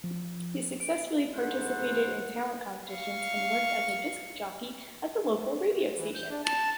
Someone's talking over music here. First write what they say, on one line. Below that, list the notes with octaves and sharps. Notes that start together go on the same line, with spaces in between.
He successfully participated in talent competitions and worked as a disc jockey at a local radio station.
F3
D7
C2 G#2 E3 A4 C5 F#5
F5 C#6
E3
G6
D4
A5